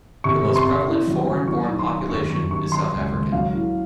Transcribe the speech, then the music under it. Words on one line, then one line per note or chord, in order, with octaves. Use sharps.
The most prevalent foreign born population is South African.
C3 C#6
C3
C6
C3
A2
F#3
F#3
F#3 C#6
D#3
C6
D#3
D#2 C#6
F#3 C#6
D#2 C#6
F#3 C6
C#2
C#2
F#3 F5
A2